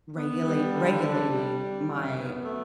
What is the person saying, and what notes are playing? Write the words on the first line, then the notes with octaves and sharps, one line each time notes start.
regulate regulating my
B3
G3
D3
D4
G3
D3
F#2
B3
A3